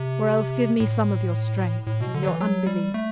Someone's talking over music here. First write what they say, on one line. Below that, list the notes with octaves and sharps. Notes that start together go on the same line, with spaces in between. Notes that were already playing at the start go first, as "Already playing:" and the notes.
Or else give me some of your strength--of your unbelief. . . .
Already playing: C3
A2
A2
B2
D3
F#3
E3
F#3
G3
A3